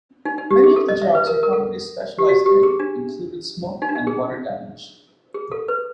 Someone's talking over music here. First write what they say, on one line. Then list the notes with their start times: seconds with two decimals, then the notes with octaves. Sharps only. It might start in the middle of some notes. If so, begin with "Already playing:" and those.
Many of the jobs her company specialized in included smoke and water damage.
0.25 D#4
0.38 D#4
0.51 G4
0.63 G#4
0.76 A4
0.89 D#5
1.02 E5
1.15 B4
1.27 A#4
1.43 A#4
1.53 A4
2.19 G4
2.29 F#4
2.46 G4
2.63 G#4
2.80 D4
3.82 D#4
3.89 D4
3.95 D#4
4.07 G#4
5.34 G#4
5.52 A4
5.68 B4